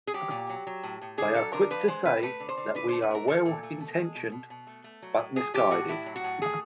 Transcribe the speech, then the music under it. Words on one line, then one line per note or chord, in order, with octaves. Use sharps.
They are quick to say that we were well-intentioned, but misguided.
G#4
F#3 G4
A#2
F#3
F#3
A2
A2
D3 G#4
F#3 A4
D3 A#4
F3 B4
G#3 C5
C3 B4
A3 B4
D3
C5
D3
D3 B4
A3 C5
B4
A3 A#4
F3 A4
A#2
A3
B2
G#3
B2
B2
B2
A3
A3
F#3
A2
F3 G#4
F3 G4
A2 F#4
A2 E4
F#3
F#4
A2
A3 G#4